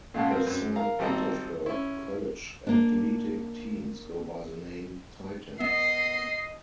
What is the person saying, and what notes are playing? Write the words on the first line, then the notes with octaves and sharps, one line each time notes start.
The Saint Petersburg College athletic teams go by the name Titans.
A#2 C#3 G#3 F5 F#5 A5
B3 C4 A#4
F#2
A#4 F5 A#5
G#1 G3 C4 A4 D#5 A#5
C#4 E4
A#3 D4
B3 D#5 C7